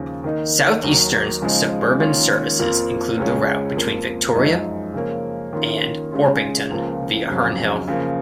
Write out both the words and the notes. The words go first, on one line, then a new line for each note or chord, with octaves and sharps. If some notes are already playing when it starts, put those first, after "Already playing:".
Southeastern's suburban services include the route between Victoria and Orpington via Herne Hill.
Already playing: D#2 C#3 F3
D#3 A#3 D#4
D#2 D#3 F#3
C#3 F3 G#3 D#4
D#3 A#3 C#4 F4
F2 F3 A#3 F4
C#2 C#3 G#3 C#4
F2 F3 A#3
F#2 F3 G#3 D#4
C#3 F3 A#3 C#4
D#3 A#3 C#4 F4
C#3 G#3 C#4 F4
C#2 C#3 F3 A#3
F2 C#3 F#3
C#3 F3 A#3